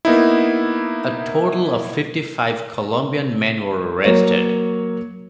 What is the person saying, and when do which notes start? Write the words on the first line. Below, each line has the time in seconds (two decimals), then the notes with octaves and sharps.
A total of fifty-five Colombian men were arrested.
0.05 A#3 B3 D#4 E4
4.04 F#3 A#3 C#5